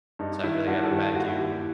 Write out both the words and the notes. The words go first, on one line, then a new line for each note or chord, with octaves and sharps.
so I really gotta vacuum.
G2 D#4
D#4
D#3 E4
G2 F#4
A4
D#3 G4
D#2 F#4
E4
D#2 G4